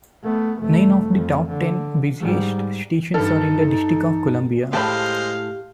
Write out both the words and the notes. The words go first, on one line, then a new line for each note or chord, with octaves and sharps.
Nine of the top ten busiest stations are in the District of Columbia.
A3 B3
F1 A3
F2
D3
G#2 G3
G2 D#4 A4 F6
A2 G#3 G4 C5 F5 A5 B5